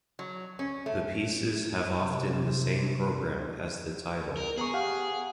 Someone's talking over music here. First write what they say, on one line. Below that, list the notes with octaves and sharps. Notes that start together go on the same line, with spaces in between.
The pieces have often the same program as the title.
F#3
C#4
A3
C3
A#4
B3 G#4 A#5 C#6
G4 F5 F#5